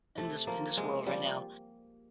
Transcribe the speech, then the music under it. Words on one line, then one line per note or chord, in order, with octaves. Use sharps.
in this in this world, right now.
C3 A3
F3 A#3
C3 G#3
F3 G3